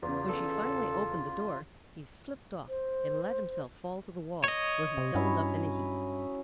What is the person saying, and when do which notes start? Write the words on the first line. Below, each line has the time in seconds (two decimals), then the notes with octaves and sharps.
When she finally opened the door he slipped off and let himself fall to the wall, where he doubled up in a heap.
0.03 E2 C#3 F4
0.29 A4
2.68 C5
4.44 C#5 D#5
4.97 C3 C6
5.15 G2 F#3 C#4 E4